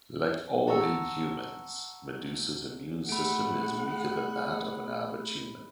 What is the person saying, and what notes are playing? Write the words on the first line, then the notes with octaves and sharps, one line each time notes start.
Like all Inhumans, Medusa's immune system is weaker than that of an average human.
F#5 A5 A#5 C#6 E6 C#7
A3 G#4 F#5 B5 D7